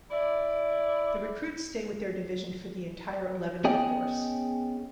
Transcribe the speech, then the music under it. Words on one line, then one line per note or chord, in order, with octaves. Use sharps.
The recruits stay with their division for the entire eleven-week course.
E4 D5
B3 C#4 G#4 D#5 G5